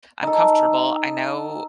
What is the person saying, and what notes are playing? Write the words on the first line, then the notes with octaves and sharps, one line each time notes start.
I'm comfortable, I know
D#4 A4